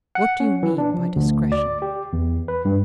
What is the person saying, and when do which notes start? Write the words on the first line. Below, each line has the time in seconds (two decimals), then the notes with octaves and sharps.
"What do you mean by discretion?"
0.15 F#5
0.40 C#4
0.63 E3
0.78 D4
0.94 F3
1.16 D2
1.52 D5
1.82 G4
2.13 E2
2.48 B4
2.65 G2